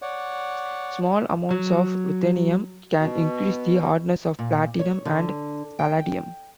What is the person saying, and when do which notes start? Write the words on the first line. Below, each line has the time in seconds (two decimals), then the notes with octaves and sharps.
Small amounts of ruthenium can increase the hardness of platinum and palladium.
0.02 C#5 D5 F#5
1.51 F#3
2.98 B2
4.39 A#2
4.79 C#5
5.05 D3
5.79 G5